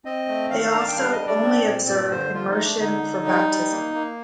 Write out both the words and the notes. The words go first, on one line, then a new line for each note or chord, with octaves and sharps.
They also only observe immersion for baptism.
C4 D#5
A3
D#3 F5
D4 A#5
A5
G5
G3 F5
D#5
D4
D5
C4
A#2
G2 D5
D3 C5
F3 F4
D#4
A3
D4
D3 D#4
D3
G3
G3
A#3
A#3